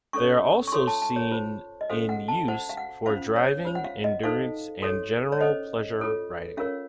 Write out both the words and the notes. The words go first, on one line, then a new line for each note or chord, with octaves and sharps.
They are also seen in use for driving, endurance and general pleasure riding.
C#4 A4 C#5 C#6
C#6
F4 A4 C#5 C6
A5
A5
C#5
F4 C5
D#5
C#4 F#4 A4 C5 F5
F#5
A5
F#4 C5 F#5
F5
F#5
C#4 F4 C5 F5
C#5
F4 C5
F#5
F5
D#5
D#4 A4 C5 F5
F#4 A4 C#5
C#5
C#4 A4 C5 D#5
F4 A4 C#5
C#4 F4 A#4 C#5 F5